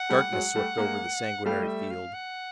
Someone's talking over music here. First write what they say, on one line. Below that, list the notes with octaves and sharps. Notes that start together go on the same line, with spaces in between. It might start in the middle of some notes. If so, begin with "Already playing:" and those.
Darkness swept over the sanguinary field.
Already playing: F#5
G3 A3
F#3 G#3
G3 A3
G#3 A#3
G3 A3 F5
D#5
E5
F5
F#5